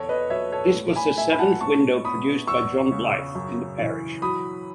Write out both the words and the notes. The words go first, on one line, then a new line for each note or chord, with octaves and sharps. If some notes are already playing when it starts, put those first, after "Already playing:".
This was the seventh window produced by John Blyth in the parish.
Already playing: E2 A4 C#5
B4 D#5
F#3 C#5 E5
A4 C#5
A2
G#5 B5
A3 E5 G#5
B5
F#5 A5
A2 A5 C#6
B3 B5 D#6
E2 C#6 E6
C#3
F#2
E3
F#3 B5 D#6